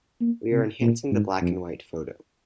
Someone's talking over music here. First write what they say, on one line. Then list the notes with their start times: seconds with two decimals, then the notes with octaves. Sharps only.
We are enhancing the black and white photo.
0.21 A#3
0.52 C3
0.81 A#2
1.12 G#2
1.42 F2